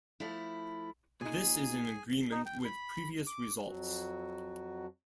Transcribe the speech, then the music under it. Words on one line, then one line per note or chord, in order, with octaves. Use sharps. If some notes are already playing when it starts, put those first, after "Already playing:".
This is in agreement with previous results.
F3 A3 E4
A#2 D#4 G#4 G#5
D#4
G5
B5
D6
F2 F#3 F#4